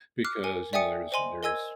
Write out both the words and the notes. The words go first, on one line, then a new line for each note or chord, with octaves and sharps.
because, you know, there is there is
D6 F6 F#6 C7
A#4 G#5
D5 E5 G5 G#5 D#6 C#7
C5 D#5 G#5 C6 F#7
A#4 D#5 G#5 E6 G#6